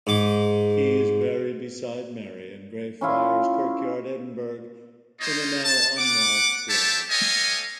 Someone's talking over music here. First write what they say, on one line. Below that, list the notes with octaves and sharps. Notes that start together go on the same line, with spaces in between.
He is buried beside Mary in Greyfriars Kirkyard, Edinburgh, in a now-unmarked grave.
G#2 D6
C#4 E4 F4
A#3 D#4 F4 C5 C#5 D#5
A5
F#5 D6
G4 C5 C#5 E5 A5
G4 A4 C#5 D#5 F5 G#5